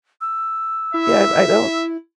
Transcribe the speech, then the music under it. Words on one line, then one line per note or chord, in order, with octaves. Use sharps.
yeah, r I don't
E6
E4 E5